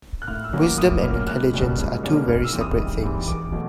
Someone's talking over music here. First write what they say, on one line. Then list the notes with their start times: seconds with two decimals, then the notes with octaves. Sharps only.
Wisdom and intelligence are two very separate things.
0.22 F#6
0.28 A2 F6
0.44 E6
0.53 F#3 A#3 C#4
0.61 D6
0.78 A2 D#6
1.02 F#3 A#3 C#4 F6
1.27 C#2 F#6
1.53 B2 G3 A#3 C#4
1.78 C#2
2.03 B2 G3 A#3 C#4
2.28 G#2 F6
2.45 E6
2.52 E3 G3 C4
2.61 D#6
2.78 G#2
3.02 E3 G3 C4
3.28 E2 D6
3.52 B2 F#3 A3